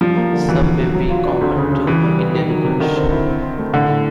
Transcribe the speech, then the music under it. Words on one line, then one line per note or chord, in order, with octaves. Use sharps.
Some may be common to Indian English.
F3 G3
A#3
D3
B2 E3
B2
F#3
F#3
F4
D4
D2
C#3
C#3
B2 E3
G3
B3
D#3
F#3
C3
D3 D#3
C4
E4
C4
C4
A3
A2 D3
A2